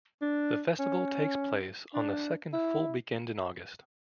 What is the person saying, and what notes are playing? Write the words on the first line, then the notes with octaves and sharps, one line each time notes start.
The festival takes place on the second full weekend in August.
D4
C#4
D4
E4